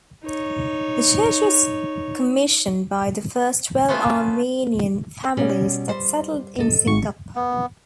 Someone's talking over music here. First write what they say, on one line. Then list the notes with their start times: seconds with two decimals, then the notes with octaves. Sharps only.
The church was commissioned by the first twelve Armenian families that settled in Singapore.
0.24 D#4 C#5
3.89 A3 B3 C#4 F4 E5 G#5
5.37 B2 G3 C#4
5.88 G3 C5
6.58 A4 D#5
6.87 G#1 C#6
7.35 B3